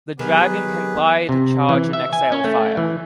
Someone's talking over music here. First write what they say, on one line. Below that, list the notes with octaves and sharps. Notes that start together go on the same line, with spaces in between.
The dragon can glide, charge and exhale fire.
D#3 F#3 B3 G4 G#4 B4
C3
E3
E5
G#5
C#4
A3
E3